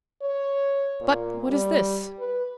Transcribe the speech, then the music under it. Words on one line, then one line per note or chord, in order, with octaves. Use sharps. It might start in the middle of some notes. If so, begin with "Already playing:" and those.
But what is this?
C#5
A#2
G3
B4